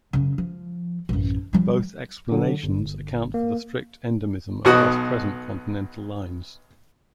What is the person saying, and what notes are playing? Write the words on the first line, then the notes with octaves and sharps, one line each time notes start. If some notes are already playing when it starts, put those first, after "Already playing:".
Both explanations account for the strict endemism across present continental lines.
F#2 C#3
F3
A1 F#2
F3 G3
D3 F#3
G1
A#3
B1 B2 F#4 F#5 D#6